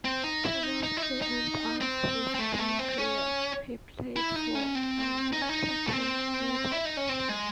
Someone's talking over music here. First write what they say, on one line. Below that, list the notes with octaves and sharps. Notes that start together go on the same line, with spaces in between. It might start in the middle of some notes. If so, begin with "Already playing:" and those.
Toward the end of his playing career, he played for and captained Natal.
C4
D#4
E4
D#4
D#4
E4
D#4
D#4
C4
C4
A3
G#3
A3
C4
C#4
E4
D#4
C#4
C4
D#4
C#4
D#4
A3
C4
E4
D#4
C#4
C4
G#3